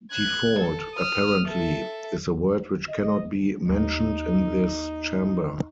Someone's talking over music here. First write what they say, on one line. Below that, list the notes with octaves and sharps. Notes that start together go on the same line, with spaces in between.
Default, apparently, is the word which cannot be mentioned in this chamber.
F#6 G#6
A4
D#6 F6
A4 E5
D#5
D#2 D#4